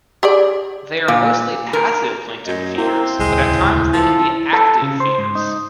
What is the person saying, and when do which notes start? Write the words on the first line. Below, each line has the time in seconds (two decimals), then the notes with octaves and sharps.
They are mostly passive plankton feeders, but at times they can be active feeders.
0.23 G4 G#4 D5
1.08 A#2
1.73 A#4
2.47 F#2 D#5
2.78 A#3 C4 E4
3.19 D#1 C#2 G#3
3.93 F3 A4
4.53 A4
4.82 C#3
5.00 C5
5.18 G#2
5.35 D#4